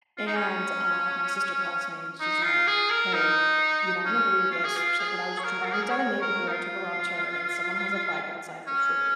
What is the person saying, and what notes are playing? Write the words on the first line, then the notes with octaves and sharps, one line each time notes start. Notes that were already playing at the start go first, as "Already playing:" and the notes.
And, uh, my sister calls me and she's like, "Hey, you're not gonna believe this." She's like, "When I was driving down a neighborhood, I took a wrong turn and someone has a bike outside for free."
F4
D#4
C#4
D#4
F4
G#4
A#4
D#4
C#4
F4
G#4
F4
G#4
C#5
A#4
F4
G#4
A#4
C#5
A#4
D#4
F4
C#4